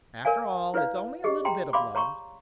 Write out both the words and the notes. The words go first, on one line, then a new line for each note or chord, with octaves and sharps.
After all, it's only a little bit of love.
A#4 C#5 D5 F5 G#5
E4 B4 C#5 D5 F5
G4 G#4 D#5
G5 A#5 C6
D5 F5 B5 C6 D6
C#5 A#5 C6 C#6